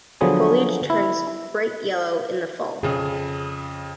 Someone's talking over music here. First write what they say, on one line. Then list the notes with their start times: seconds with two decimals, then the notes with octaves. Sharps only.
Foliage turns bright yellow in the Fall.
0.21 D3 F3 F#3 B3 G#4
0.90 E4
2.83 F2 C#3 G#4